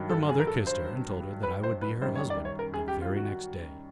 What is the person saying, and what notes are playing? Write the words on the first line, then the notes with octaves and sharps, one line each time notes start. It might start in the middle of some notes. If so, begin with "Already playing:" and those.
Her mother kissed her, and told her that I would be her husband the very next day.
Already playing: G2 D#3 F#3
A4
G#4
A#4
A4
C5
B4
C5
B4
F#2 D#3 G3 C5
C#5
D5
C#5
A#4
G#4
G4
F4
F#4